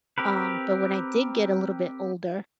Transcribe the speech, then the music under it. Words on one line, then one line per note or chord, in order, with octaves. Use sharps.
Um, but when I did get a little bit older
C4 G4 A#4 B4